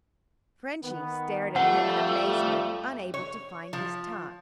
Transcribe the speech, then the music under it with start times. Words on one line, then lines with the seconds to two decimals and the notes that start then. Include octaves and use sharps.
"Frenchy" stared at him in amazement, unable to find his tongue.
0.84 D#3 B3
1.56 F2 F#3 G3 A3 F#5
3.14 C#5
3.73 F3